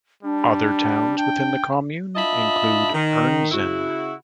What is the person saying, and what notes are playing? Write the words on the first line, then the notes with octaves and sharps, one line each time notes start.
Other towns within the commune include Ernzen.
G3 D4
G5
D4 F4 D#5 E5 A5 B5
D#3
C#3 E4 F#4